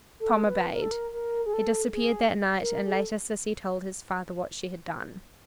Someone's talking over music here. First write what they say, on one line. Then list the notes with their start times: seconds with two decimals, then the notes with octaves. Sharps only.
Tom obeyed. He disappeared that night, and later Sissy told his father what she had done.
0.20 A4
0.46 B4
0.73 A#4
0.82 A4
0.91 A#4
1.13 A#4
1.46 G#4
1.53 A4
1.93 G#4
2.60 A#4
2.86 G#4
2.94 A4